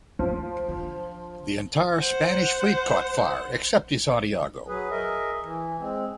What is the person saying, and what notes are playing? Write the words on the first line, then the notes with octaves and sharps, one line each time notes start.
The entire Spanish fleet caught fire, except the "Santiago".
D2 F3
D3
C5 F#5
F#3 G#4 B4
G#4 A#4 D#5 E5
E3
G#3 C4